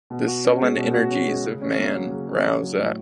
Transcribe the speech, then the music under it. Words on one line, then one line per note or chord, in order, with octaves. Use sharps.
The sullen energies of man rouse up.
B2
F#4
C#4
G#3
B2
F#4
C#4
G#3
C#3
C#4
A#3
F#3
C#3
C#4
A#3
F#3
A2